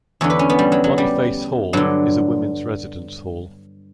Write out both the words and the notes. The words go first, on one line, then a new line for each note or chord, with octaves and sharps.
Boniface Hall is a women's residence hall.
E2 D3 C#5
B4
C#4
B3
G3
F#3
F#3
G3
G2 D3 F#3